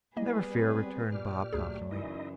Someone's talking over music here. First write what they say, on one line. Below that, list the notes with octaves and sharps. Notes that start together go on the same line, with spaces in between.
"Never fear," returned Bob confidently.
G3 A#3 B3 E4 G#4 B4 D#5
C4
A#2 G4 D5 F6
D2 F#3 A3 G#4
F#2 C#3 E3 D#4 E4 D#5